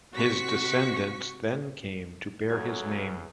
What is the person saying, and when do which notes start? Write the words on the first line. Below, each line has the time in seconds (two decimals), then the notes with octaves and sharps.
His descendants then came to bear his name.
0.14 C3 F#4 C#6 B6
2.50 E2 C#3 F#3 A4 G#6